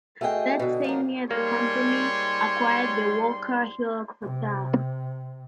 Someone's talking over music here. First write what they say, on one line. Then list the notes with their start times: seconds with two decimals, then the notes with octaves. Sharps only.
That same year, the company acquired the Walkerhill Hotel.
0.21 A3 F#4 G#4 D#5 G5
0.59 B2 D3
0.84 F3 F#3 A#3
1.31 G#2 G3 A#3 C#5 C6
4.22 C3